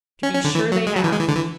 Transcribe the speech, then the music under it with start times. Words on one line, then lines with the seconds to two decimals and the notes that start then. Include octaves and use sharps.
"To be sure they have."
0.23 C#4
0.34 C#4
0.44 D3
0.55 E3
0.72 F#3
0.87 G#3
0.95 F#3
1.04 E3
1.12 G#3
1.20 E3
1.28 D3
1.36 E3